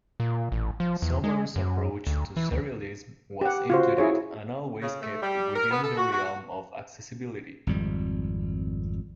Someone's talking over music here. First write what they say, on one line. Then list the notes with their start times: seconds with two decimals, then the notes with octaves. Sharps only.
Somers's approach to serialism was intuitive and always kept within the realm of accessibility.
0.20 A#2
0.52 A1
0.80 F3
1.02 E2
1.24 G#3
1.56 F#2
2.07 D2
2.36 E3
2.52 D2
3.41 G4 F#5
3.70 F4 F#4 C5
3.98 E4 G#4 C#5
4.82 C#3
5.02 A3
5.22 G3
5.55 A#4
5.71 B3
5.83 A4
5.97 F#4
6.12 F#4
6.24 F#4
7.67 G#1 F2 G3